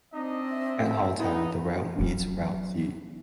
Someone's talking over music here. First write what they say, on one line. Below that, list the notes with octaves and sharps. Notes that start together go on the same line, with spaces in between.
At Halltown, the Route meets Route Z.
C4 D4 D#4 D#5
E5
B3 D#4 E4
F#3 C#4